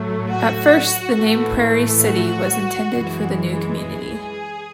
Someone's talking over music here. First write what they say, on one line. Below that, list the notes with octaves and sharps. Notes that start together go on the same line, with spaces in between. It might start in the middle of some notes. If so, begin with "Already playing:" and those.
At first the name Prairie City was intended for the new community.
Already playing: A2 F#3 A3
F#4
A2 E3 A3
F#4
F#2 E3 G#3
G#4